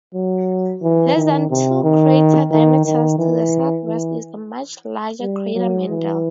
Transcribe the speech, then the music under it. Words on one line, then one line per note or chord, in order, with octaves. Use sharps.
Less than two crater diameters to the southwest is the much larger crater Mendel.
F#3
E3
D#3
C3
D#3
D#3
D#3
E3
E3
G3
F#3
E3